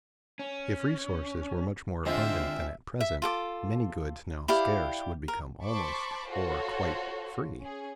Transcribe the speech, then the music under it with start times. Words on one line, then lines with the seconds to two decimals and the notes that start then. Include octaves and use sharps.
If resources were much more abundant than at present, many goods now scarce would become almost, or quite, free.
0.39 C#4
2.05 D3 G#3 C4 F4 E5
3.01 E5
3.22 F4 A4 D6
4.48 E4 G4 D5 F5
5.28 A#4
5.64 C5 A5 B5 C#6 D6
6.28 F4 F#4 A4 C5 C#5
7.59 C#4 G#4